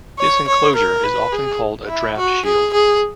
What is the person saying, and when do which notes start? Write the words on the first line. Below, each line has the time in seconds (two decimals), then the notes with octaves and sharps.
This enclosure is often called a draft shield.
0.19 C#5
0.48 C#5
0.76 A#4
1.04 B4
1.32 G#4
1.88 E4
2.18 F#4
2.45 G#4
2.73 G#4